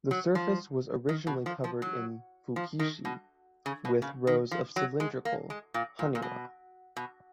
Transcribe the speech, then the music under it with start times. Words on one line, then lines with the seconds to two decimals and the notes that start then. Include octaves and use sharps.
The surface was originally covered in "fukiishi" with rows of cylindrical "haniwa".
0.11 F#3
0.35 F3
1.09 D#3
1.27 B2
1.46 F3
1.64 F3
1.82 F#3
2.56 F3
2.79 D#3
3.05 B2
3.66 C#3
3.85 B2
4.02 C#3
4.27 D#3
4.51 F3
4.76 F#3
5.00 G#3
5.25 A#3
5.50 G#3
5.74 A#2
5.99 A#2
6.15 A#2
6.22 B2
6.97 B2